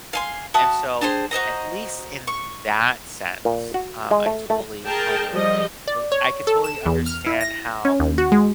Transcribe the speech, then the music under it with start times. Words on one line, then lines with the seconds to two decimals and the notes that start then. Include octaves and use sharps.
And so at least in that sense, um, I totally kind of, like, li I could totally understand how
0.13 F5 G#5 C6
0.54 F#4 E5 A5 D#6
1.01 D4 G4 G#4 C5
1.31 F#4 C5 D#5 A#5
2.27 C#6
3.45 A#2
3.74 F#4
4.11 G#3
4.26 A3
4.50 A3
4.87 G#4 A#4 G5 A5
5.32 F3 G3 D#5
5.87 D5
6.12 C#5
6.47 A4
6.64 E7
6.86 E2
7.06 F6
7.27 E4
7.41 A#6
7.85 C#4
8.00 D#2
8.18 F#4
8.32 G#3